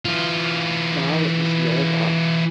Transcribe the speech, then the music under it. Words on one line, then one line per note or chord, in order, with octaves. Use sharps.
Now is your time.
E3 F4